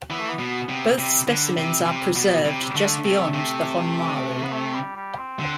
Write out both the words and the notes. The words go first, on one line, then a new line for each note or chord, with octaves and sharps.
Both specimens are preserved just beyond the Honmaru.
E3 B3
A3
B3
B2
C3
C3 G3
D3
C3
C3
B2
C3
G3
D3 A3
C3
C3
B3
A3
G3
G3
C4
D3